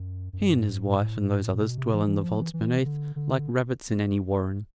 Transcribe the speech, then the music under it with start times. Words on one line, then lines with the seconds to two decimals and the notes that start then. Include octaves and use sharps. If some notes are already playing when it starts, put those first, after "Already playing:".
He and his wife and those others dwell in the vaults beneath, like rabbits in any warren.
Already playing: F#2
0.33 F#2
0.39 G2
0.70 G#2
0.86 A2
1.00 A2
1.53 A#2
1.62 B2
1.78 C3
1.93 E3
2.07 E3
2.23 F3
2.39 E3
2.54 E3
2.79 C#3
2.85 D3
3.16 D3